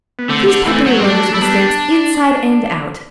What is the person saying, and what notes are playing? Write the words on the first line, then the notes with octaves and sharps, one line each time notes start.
PLEASE pepper your letters with stamps, inside and out.
B3
D3 A3 C4
D3
E3 A3 C4
F#3
C4
F#3 A3 D4
A3 E4
G3 B3 D4